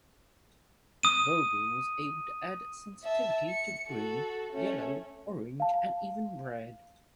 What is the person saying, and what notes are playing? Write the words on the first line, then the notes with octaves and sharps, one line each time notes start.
Vogel was able to add sensitivity to green, yellow, orange and even red.
D#6 D#7
E5 A5
C#7
F#4 A4
A3 C#4
F5 A5